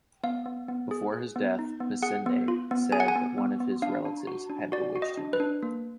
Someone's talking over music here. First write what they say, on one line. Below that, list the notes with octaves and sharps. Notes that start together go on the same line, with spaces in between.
Before his death, Masinde said that one of his relatives had bewitched him.
B3 F5
B3
B3
G#4
G#4
B3
D#4
B3
G#4 F#5
B3
F4
B3
G#4 G#5
F#5
G#5
B3
B3
B3
D4 F5
D4
F#4
D4
F#4 D5
F#4
D#5
D4
B4
D4
A#3